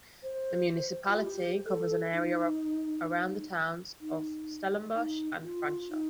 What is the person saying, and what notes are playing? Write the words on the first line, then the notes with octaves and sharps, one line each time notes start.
The municipality covers an area of around the towns of Stellenbosch and Franschhoek.
C5
F4
G4
A4
D#4
D#4
D#4
F4
D#4